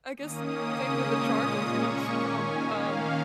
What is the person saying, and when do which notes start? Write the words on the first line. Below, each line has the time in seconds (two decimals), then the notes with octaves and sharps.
I guess same with the charges against Trump, um,
0.17 D#3 A#3 C#4 D#6
0.65 C#3 A#3 C#4
1.11 A#2 G#3 C#4 D#6
1.60 A#2 A#3 C#4 C#6
2.07 D#3 C#4 G#5
2.55 D#3 A#3 C#4 F5